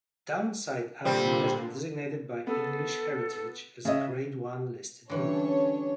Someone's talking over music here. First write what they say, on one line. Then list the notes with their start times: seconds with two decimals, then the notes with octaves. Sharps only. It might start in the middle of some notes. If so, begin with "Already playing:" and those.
Downside Abbey has been designated by English Heritage as a grade one listed building.
1.05 A#2 D3 G3 C4
2.47 B3 A4
3.85 C#3 D#5 E5
5.10 D3 E3 G3 C#4 D4 C#5